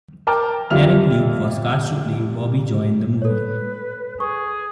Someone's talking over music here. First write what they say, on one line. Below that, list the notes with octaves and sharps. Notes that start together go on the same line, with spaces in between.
Derek Luke was cast to play Bobby Joe in the movie.
A#4 G5 A5 D6 F6
F2 G3 F4 E5 F6 F7
A4 B4 C#5
G#4 C#6